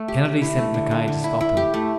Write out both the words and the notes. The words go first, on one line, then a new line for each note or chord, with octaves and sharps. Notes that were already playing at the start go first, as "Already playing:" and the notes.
Kennedy sent Mackay to stop him.
Already playing: A3
G4
G4
E4
A3
D3
D3
D3
E4
E4
G4
A3